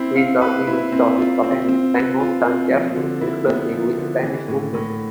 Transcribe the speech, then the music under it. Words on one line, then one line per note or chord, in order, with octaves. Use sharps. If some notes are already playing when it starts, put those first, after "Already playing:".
Rizal even saw his companions spend more time gambling and flirting with Spanish women.
Already playing: C4 E4
F5
B4
E4
C4
F4
C4
C4
B4
F4
C4
F3
D3
E4
B3
F3
D3
E3
A2
A2